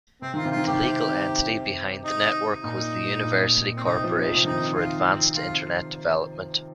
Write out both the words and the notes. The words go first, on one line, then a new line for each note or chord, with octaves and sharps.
The legal entity behind the network was the University Corporation for Advanced Internet Development.
C3 C4
D#3 F4
C3
D#3 F4
C3 G4
C3
D#4
A#2 D#4
A#2
C4
C3 D#4
F3
D#4
F3
C3
D#3 D#4
F4
C4
F4